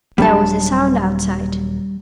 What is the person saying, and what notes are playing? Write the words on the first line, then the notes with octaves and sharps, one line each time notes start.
There was a sound outside.
D#1 F#3 G3 D4 A5